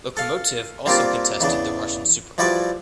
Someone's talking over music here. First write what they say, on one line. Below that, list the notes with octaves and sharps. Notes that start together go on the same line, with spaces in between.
Lokomotiv also contested the Russian Super Cup.
A4 F5
G3 A#3 C4 D4 F4 G4
E2 C#3 D4
F3 G3 E4 F#4 B4 D5